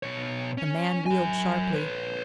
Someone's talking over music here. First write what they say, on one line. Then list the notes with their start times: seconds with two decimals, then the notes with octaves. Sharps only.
The man wheeled sharply.
0.03 B2 C#5
0.58 C#4
1.06 F#3 G#5
1.74 B4 C#5